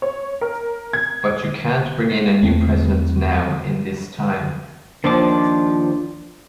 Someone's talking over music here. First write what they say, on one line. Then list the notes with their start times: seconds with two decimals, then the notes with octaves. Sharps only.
But you can't bring in a new president now, in this time.
0.02 C#5
0.41 A#4
0.93 G#6
2.43 E2 A3 C4
5.04 D#2 D#3 F3 D4 D6